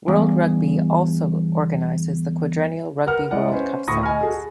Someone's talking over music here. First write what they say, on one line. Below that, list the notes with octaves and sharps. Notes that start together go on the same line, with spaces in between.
World Rugby also organises the quadrennial Rugby World Cup Sevens.
E2 G2
A#4 B4 F#5 F6
G#3 E4 D5 D#5 F#5
C#4 B4 C5
D2 A2 B5 C#6 D#6 A#6
D#5 G#5 B5 F6
F#4 G#4 A4